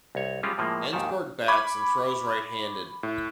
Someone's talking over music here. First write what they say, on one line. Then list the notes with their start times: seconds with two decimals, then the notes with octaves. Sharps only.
Ensberg bats and throws right-handed.
0.15 C2 C#5
0.43 G3 G#3 C#4 F4 G4
0.58 A2 F3 G#3 A#3
0.92 D#2 G#2 D#3 A5
1.48 B5 C#6 D6 G#6
3.03 A2